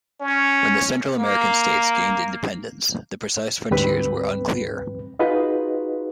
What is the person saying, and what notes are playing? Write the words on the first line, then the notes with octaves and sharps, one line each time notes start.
When the Central American states gained independence, the precise frontiers were unclear.
C#4
A#3
D2 G#2 G3 C4 B4 B5
D#4 F4 F#4 G#4 B4 D#5